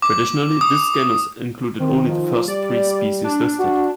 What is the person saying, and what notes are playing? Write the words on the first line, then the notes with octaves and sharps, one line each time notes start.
Traditionally this genus included only the first three species listed.
D6
D#6
D#3 C4
F3
G3 D5
D4
F#4